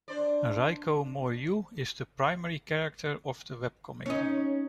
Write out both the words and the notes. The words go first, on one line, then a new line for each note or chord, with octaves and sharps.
Reiko Mouryou is the primary character of the webcomic.
D4 C5 D5
C#4 D#4